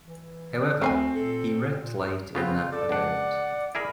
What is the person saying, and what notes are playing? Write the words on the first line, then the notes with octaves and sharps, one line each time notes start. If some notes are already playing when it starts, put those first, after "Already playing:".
However, he wrecked late in that event.
E3
D2 A3 C4 B4 G#5 C7
A#2 A4
A#2
C#3 B3 C4 F4
A4 D5
C#2 D4 F#5
E4 G#4 A#4 B5